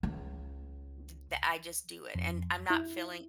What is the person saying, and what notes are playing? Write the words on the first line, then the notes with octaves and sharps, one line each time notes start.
th the I just do it and I'm not feeling
C#2 C#4
F2
E4